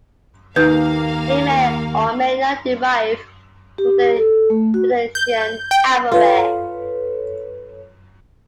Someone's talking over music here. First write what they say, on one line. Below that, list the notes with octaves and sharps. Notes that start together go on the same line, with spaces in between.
It may or may not derive from the Phoenician alphabet.
D#2 A#3 D#4 B4 F5 G6
G4
A4
A3
F#4
G6
G5
F4 A4 B4 C#5